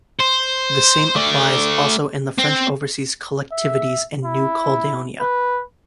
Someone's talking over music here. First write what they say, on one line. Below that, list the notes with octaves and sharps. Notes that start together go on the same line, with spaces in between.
The same applies also in the French overseas collectivities and New Caledonia.
C5
A3 D5
C4
E5
E4
B4